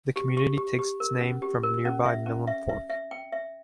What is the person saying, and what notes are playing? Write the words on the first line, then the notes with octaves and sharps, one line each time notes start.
The community takes its name from nearby Milam Fork.
G4
G4
G4
G4
A#4
C#4
G4
A#4
C#4
E5
C#4
E5
E5
E5
G5
E5